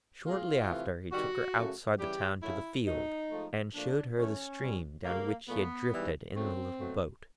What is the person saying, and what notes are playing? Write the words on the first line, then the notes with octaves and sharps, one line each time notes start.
Shortly after he took her outside the town to the field, and showed her the stream down which he had drifted in the little boat.
B2 G#3 F4
C3 E3 A3
C3 D#3 G3 F#4
F#2 C#3 F#3 A3
C#3 E3 G3 G4
F#2 C#3 F#3 A3 E4
B2 F#3 A3 D#4
G#2 F3 A3
A#2 F3 A3 D4
G2 E3 A3 C#4
B2 G3
C#3 F#3 A3 A#3
A#2 F3 A3 B3
G#2 E3 G3
C#3 F#3 A3 C4
B2 F#3 A3